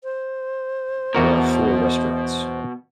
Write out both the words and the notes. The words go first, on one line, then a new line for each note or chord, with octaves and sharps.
There are four restaurants.
C5
E2 B2 F#4 A#4